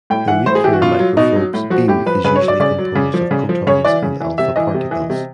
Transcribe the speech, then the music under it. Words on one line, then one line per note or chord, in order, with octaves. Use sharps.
The nuclear microprobe's beam is usually composed of protons and alpha particles.
A2 G5
E3 F#5
A2 C5
G#4
E3 G4
F#4
B2 F4
F#3
B2 D#4
F#3
A2
F3 F#4
A2 G4
F3 B4
C#3 B4
C#5
F#3
D5
C#3 D5
F#3
C#3
F3
C#3
F3
C#3 C#5
E3 D5
C#3
E3
C3 E5
E3 D#5
C3
E3
C3